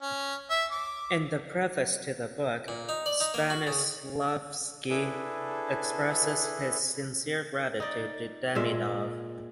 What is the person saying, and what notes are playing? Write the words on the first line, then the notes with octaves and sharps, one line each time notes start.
In the preface to the book Stanislavsky expresses his sincere gratitude to Demidov.
C#4
E5
D6
A#2
D#4
D5
D#4
A#3
F#4
C#3
D4 E4 G#4 A4 B4
D#4 D5
A#2 G#3 E5